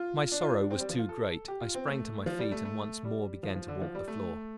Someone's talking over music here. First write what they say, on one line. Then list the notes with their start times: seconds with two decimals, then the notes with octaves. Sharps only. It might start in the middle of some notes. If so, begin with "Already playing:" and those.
My sorrow was too great; I sprang to my feet and once more began to walk the floor.
Already playing: F4
0.32 D4
0.41 F4
0.50 D4
0.70 C4
0.80 G3
0.89 F3
0.99 F4
1.09 A4
1.48 G4
1.60 F4
1.75 C4
1.87 A3
2.26 F3
2.39 G3
2.52 A3
2.65 A3
3.04 G3
3.43 F3
3.55 F3
3.68 D3
3.81 F3
3.95 G3
4.08 A3